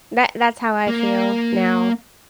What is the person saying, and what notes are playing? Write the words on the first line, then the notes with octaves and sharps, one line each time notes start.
that that's how I feel now
A#3